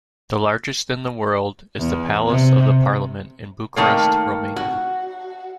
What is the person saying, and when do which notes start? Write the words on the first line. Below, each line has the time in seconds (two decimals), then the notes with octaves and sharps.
The largest in the world is the Palace of the Parliament in Bucharest, Romania.
1.79 E2
2.29 C3
3.76 D#3 A3 A#3
4.56 F#4